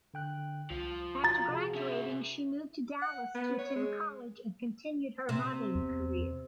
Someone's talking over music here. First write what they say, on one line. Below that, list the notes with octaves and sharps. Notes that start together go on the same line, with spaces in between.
After graduating, she moved to Dallas to attend college and continued her modeling career.
D3 G5 F#6
C2 F3
F#4 A#5 A6
C3 F#4 G#4
C#4 E5
F#5
B3
C#5
G#3
C3
E2